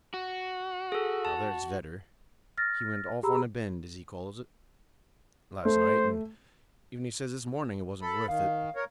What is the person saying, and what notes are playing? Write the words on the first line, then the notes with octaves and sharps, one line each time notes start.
Now there's Vedder; he 'went off on a bend,' as he calls it, last night, and even he says this morning it wasn't worth it.
F#4
G#4 A4
A5
F6 A6 A#6
G4 G#4 A#5 B5 E6
A3 C5
A4 B5
D#3 F5
A#4 C#5